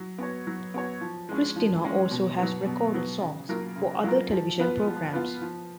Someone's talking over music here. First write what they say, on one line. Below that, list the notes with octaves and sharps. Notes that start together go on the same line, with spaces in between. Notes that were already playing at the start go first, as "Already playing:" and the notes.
Cristina also has recorded songs for other television programs.
Already playing: F#3
B3 F#4 C#5
F#3
B3 F#4 C#5
F3
G#3 C#4
F3
G#3 C#4
B2
F#3 B3
B2
F#3 B3
C#3
F#3 A#3 F4 A#4
C#3
F#3 A#3 F4 A#4
F3
B3 F4 B4
F3
B3 F4 B4
F3